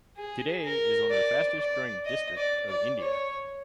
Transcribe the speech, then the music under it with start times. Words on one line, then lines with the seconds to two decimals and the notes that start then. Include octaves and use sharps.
Today, it is one of the fastest growing district of India.
0.17 G#4
0.64 A#4
1.11 D5
1.58 D5
2.06 D#5
2.37 D5
2.70 D5
3.00 C#5